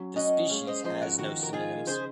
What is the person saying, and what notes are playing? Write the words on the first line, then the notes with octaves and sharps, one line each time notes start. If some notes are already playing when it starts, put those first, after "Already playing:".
The species has no synonyms.
Already playing: F#3 C#4
C#4 D#5 F#5
G#3 C#5 F5
C5 D#5
F3 C5 D#5
F#4 A#4
D#3 F#4 A#4
A#4
D#4 F4 G#4
C#3 G#4 C5